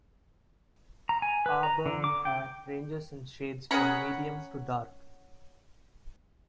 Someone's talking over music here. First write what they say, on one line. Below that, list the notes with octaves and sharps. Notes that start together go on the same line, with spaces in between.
Auburn hair ranges in shades from medium to dark.
A#5
G#5
B4
A#5
D3
D6
G5
C#4 G#4 A#4 C#5 F#5 A#5 B5